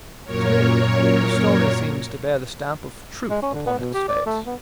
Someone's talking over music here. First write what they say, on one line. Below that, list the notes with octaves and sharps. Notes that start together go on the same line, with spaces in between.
To me the story seems to bear the stamp of truth upon its face.
F#2 A#2 A#4 C#5
G#3
C#4
D3
B3
B2
G4
D5
A3
B3